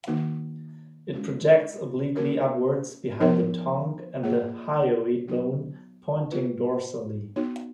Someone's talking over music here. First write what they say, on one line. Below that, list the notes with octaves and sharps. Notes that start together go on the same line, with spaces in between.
It projects obliquely upwards behind the tongue and the hyoid bone, pointing dorsally.
D#3 A#3 D#4 F#4
G#3 C#4 F#4 C#5
A#3 C#4 F#4 A#4 C#5
F3 B3 D#4 A#4 C#5
A#3 F4 G#4 C#5
F#3 B3 D#4 F#4
B3 F4 B4
B3 D#4 F#4 C#5